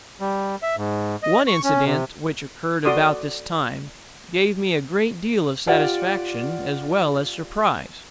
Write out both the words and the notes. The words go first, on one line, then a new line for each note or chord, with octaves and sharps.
One incident which occurred about this time gave me a great deal of satisfaction as well as surprise.
G3
E5
G#2
D#5
C#6
C#4
C3
F#4 A4 D5 C6 D6 D#6
F4 G4 D5 F#5